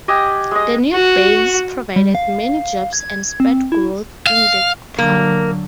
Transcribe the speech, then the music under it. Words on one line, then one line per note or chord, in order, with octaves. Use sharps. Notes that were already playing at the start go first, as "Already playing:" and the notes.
The new base provided many jobs and spurred growth in the town.
G4 D#5 F#5 G#5
G#3 D#5
F#4
G3
F5
G#6
C4
E4
F5
D3 F#3 A#3